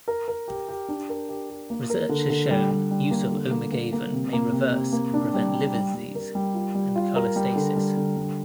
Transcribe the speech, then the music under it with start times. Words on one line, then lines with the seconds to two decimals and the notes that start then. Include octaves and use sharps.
Research has shown use of Omegaven may reverse and prevent liver disease and cholestasis.
0.08 A#4
0.28 A#4
0.48 G4
0.69 G4
0.89 D4
1.09 A#4
1.29 G4
1.50 G4
1.70 A#3
1.90 A#4
2.09 D3
2.30 D3
2.51 G3
2.70 G3
2.91 G3
3.11 A#3
3.32 D3
3.51 A#3
3.72 A#3
3.93 A#3
4.12 C3
4.33 A#3
4.52 C3
4.73 C3
4.93 A#3
5.14 D4
5.34 G3
5.54 G3
5.74 G3
5.95 G3
6.15 A#4
6.35 G3
6.54 F4
6.75 G3
6.96 F4
7.16 A#4
7.36 G3
7.56 D3
7.76 G3
7.97 D3
8.17 G3